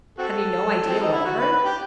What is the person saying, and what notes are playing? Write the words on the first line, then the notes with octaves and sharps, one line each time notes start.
"Have you no idea whatever?"
C4 F#4 A4
C4
D#4
E4
F#4
B4
B4
G4